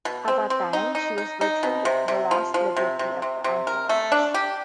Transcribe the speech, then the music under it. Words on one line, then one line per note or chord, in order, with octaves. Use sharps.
At that time, she was virtually the last Liberty at the anchorage.
B2
C4
C4
D#4
D#4
D#4
D#4
B2
C3
C3
F3
F3
C3
C3
C3
C3
A#4
A3
D4
G4